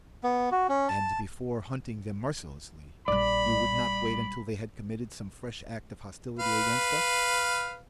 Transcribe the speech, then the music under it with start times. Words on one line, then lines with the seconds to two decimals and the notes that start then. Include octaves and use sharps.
"And before hunting them mercilessly, you would not wait until they had committed some fresh act of hostility against us?"
0.23 B3
0.52 F#4
0.69 C#4
0.89 A5
3.08 A#1 G3 D5 B5
6.39 B4 F5